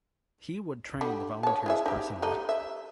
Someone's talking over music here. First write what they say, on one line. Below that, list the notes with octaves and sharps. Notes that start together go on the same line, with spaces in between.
He would train the volunteers personally.
D3 G3
C#5 A5
E4 G#4 E5
D#4 G4
G3 A3 D#4
E5